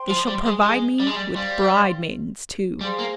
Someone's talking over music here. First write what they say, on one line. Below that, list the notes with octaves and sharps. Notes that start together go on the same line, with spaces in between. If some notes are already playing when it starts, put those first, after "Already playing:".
They shall provide me with bride-maidens too.
Already playing: C5 G5 C6
F3
G3
G#3
G#3
G3
G#3
G3
G3 C5 F5 C6
G3 G#4 C5 F5 C6
A#3